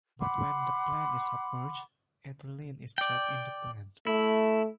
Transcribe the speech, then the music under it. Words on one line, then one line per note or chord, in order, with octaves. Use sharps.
But when the plant is submerged ethylene is trapped in the plant.
F#5 B5 C6 D6
D5 G5
A3 E4